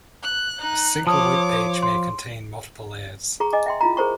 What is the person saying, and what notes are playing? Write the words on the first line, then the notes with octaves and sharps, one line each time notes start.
A single web page may contain multiple ads.
F#6
D#4 F#6
F3 C#5 A5 D6 D#6
C6
G#4 A#5 C#6
D#5 G#5 D6
E5 G5 C6
E4 F4 A#5
G#4 A#4 C5 A#5 C#6